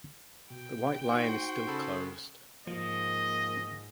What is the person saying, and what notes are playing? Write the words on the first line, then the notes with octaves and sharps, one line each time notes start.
The White Lion is still closed.
B2 G5
D#4 F#4 C5
C#3 A4 B5
G#2 F3 A#3 D#5